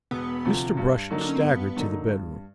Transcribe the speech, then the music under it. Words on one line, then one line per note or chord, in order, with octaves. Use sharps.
Mr. Brush staggered to the bedroom.
E1 B3
D2 C3 F3
G2
D3 F#3 A#3 D#4
D4
C#4
C4
G2 B3
D3 F#3 A#3 D#4
G2